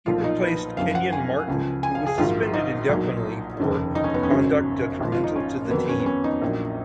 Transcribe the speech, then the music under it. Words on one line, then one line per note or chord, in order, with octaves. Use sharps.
He replaced Kenyon Martin who was suspended indefinitely for "conduct detrimental to the team".
B1 A#2 F3 F4
D#4
B4
F#1 F#2 C#3 F3 F5
F#5
G#5
C#2 C#3 F3
G#5
F5
G#4
A#1 G#2 D#3 F#3 F4
D#4
B1 A#2 F#3
F1 D#2 C#3
D#4
C#4
B3
C#4
G#1 F#2 C#3 F#3
G#1 G#2 F3
F4
D#4
C#4
A#3
F2 D#3 F#3 B3
C#4
B3
C#4
D#4
A#1 A#2 F#3